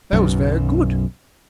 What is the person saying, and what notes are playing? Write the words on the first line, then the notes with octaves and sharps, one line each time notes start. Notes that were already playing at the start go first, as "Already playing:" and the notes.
That was very good!
B1 F#2